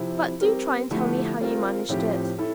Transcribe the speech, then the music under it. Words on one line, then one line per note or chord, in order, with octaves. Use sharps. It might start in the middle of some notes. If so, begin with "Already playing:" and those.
"But do try and tell me how you managed it."
Already playing: C3 F3 C4 E4
G3 C4 G4 A#4
D3 F3 A3 E4 G4
G3 C4 F4 A#4
A2 F3 C4 G4
E4 A4